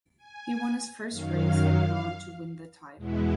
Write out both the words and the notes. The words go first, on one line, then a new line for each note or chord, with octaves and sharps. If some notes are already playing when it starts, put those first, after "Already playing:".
He won his first race and went on to win the title.
G#5
F#2 D#3 F#3 F5
E2 B2 G#3 B3 E4